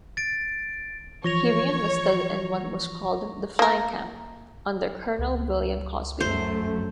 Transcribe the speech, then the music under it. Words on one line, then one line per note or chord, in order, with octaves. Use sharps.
He reenlisted in what was called the "Flying Camp" under Colonel William Cosby.
A6 D7
E3 F3 F4 C#5 C#6 A#6 F7
A#3 A#4
C#2
F#2 A3 C5